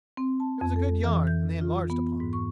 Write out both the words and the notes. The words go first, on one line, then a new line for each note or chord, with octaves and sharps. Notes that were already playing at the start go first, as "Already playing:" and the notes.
It was a good yarn, and they enlarged upon it.
C4
A5
F2
A4
E3
G6
F4
B3
G#2
C#6